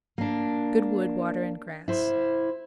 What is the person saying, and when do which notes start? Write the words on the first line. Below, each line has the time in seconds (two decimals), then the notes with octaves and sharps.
Good wood, water, and grass.
0.18 A#3 D4
1.88 E4 C5